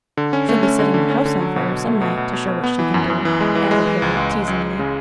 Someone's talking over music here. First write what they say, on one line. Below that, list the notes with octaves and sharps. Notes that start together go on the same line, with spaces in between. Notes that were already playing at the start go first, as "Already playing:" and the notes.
"She'll be setting the house on fire some night, to show what she can do," added Harry, teasingly.
D3
C#4
A3
C#4
D3
D3
C#4
D3
F#3
B2
B2
A3
B2
B2
B2
B2
B3
E3
F#2
F#2
E3
G#3
E3
G#3
E3
C#2
C#2
C#2
C#2
C#2
C#3